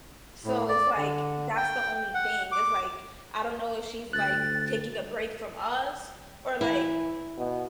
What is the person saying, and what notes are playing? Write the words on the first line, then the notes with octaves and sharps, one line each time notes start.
so it's like, that's the only thing. It's like, I don't know if she's, like, taking a break from us or, like,
A2
D5
D3
G5
F#5
D6
D2 F#6 A6
E3 E4
B2